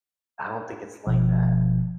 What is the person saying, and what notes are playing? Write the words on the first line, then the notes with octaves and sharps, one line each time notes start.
eh, I don't think it's like that.
G1 B2 F3